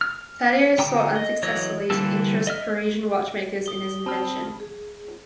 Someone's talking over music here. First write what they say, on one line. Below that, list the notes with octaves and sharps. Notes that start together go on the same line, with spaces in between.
Fatio sought unsuccessfully to interest Parisian watchmakers in his invention.
F6
D3 G5 A#5 D6
D#5
E3 F#3 C#5 D#5
D3 E3 G3 A#3 A4
D#5 E5 F6
D#6 G7
C4 A5 B5 F6
G#4